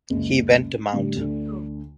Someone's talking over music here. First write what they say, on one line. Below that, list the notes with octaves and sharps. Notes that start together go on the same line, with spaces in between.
He went to Mt.
F#1 C#2
A2 D3 G3
D2 D3